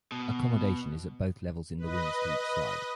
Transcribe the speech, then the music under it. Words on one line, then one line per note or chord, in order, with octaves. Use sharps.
Accommodation is at both levels in the wings to each side.
B2
B4 D#5